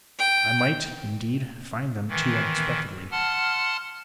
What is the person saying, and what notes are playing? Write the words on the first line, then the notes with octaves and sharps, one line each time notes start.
I might, indeed, find them too unexpectedly!
G5
D#3 E3
F#5 A5 C6 F6